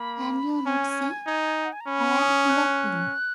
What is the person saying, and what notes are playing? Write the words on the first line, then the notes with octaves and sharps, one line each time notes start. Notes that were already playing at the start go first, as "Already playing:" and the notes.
Can you not see - I am eloping!
Already playing: A#3 B5
C#4 G#5
D#4
F#5
G#5
A#5
C#4 B5
D#6
F#6